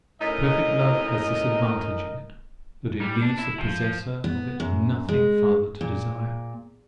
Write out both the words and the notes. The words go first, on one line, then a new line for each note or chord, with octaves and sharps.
Perfect love has this advantage in it, that it leaves the possessor of it nothing farther to desire.
F#2 A2 D#4 A#4 D#5
G3
D4
E4
F3
B3
F#2
G#3
A#2